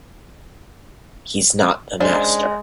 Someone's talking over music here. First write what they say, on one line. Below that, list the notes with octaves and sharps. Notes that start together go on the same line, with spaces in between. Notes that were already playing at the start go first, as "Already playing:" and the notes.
He’s not the master.
G#3 C#4 D4 C5